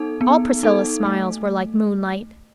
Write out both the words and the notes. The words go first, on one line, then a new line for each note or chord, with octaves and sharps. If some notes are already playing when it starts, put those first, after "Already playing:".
All Priscilla's smiles were like moonlight.
Already playing: B3 D#4 A4
B3
D#4 A4
A3